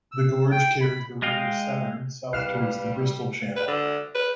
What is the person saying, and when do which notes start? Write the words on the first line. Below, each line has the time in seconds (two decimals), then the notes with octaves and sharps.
The gorge carries the River Severn south towards the Bristol Channel.
0.12 E6
0.51 G5
0.81 B5
1.22 G#3 D#5 F5 G5
2.33 C2 G3 B4 F5 F6 E7
3.56 B4
3.67 D3
4.15 B4